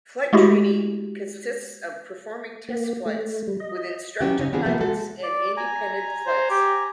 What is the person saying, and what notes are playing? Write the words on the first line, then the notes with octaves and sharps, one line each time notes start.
Flight training consists of performing test flights with instructor pilots and independent flights.
G#3 A3 E4 F#4 G4
A#3
A3
G3
D#5
F#3 C#4 E4 G4
C#3 C#4 D#4
D#3 B3 C4 D4 F4 G#4
C3 F3 G3 A#3 B3
G#3 F#4 A4
D5
G#5 A#5
C5
G4